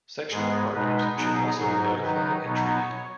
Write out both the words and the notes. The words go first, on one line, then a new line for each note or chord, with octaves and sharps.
Sexual partners should also be notified and treated.
G#2 G#3 B3 G#4
B2 G#3 D#4 B4
B2 F#3 B3 D#4 G#4
G#2 F#3 D#4
D#3 F#3 D#4 B4
B2 F#3 B3 D#4 C#5